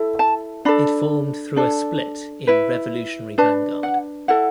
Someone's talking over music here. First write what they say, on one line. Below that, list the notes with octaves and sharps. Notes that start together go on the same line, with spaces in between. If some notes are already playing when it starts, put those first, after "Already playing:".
It formed through a split in Revolutionary Vanguard.
Already playing: E4 A4
A5
D4 A4 B5
D4 A4
E4 B4
D4 B4 A5
F#5
E4 A4 F#5